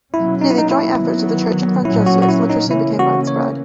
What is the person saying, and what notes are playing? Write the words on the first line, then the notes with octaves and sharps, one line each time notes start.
Through the joint efforts of the Church and French Jesuits, literacy became widespread.
B2 F#3 A#3 C#4 E4
D#4
E4
D#4
E4
D#3 F#3 B3
A#2 F#3 C#4 E4
F#4
F#4
E4
D#4
C#3 E3 A#3 C#4 E4
F#4
C#5